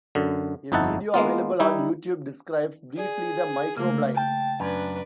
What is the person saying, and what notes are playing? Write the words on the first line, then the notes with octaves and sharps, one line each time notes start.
A video available on YouTube describes briefly the micro-blinds.
F#2 D3
G1 F2 D#4 E4 F#5 A5
G#3 A#3 B3 F4
G3 D#4 E4
G#4 D5
C#3 A3 A#3
G5 A5
F#2 D4 B4